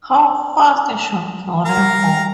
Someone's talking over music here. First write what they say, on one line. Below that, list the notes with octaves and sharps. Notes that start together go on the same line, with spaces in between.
How fast should Gloria go?
A#4 F5 A#5
G3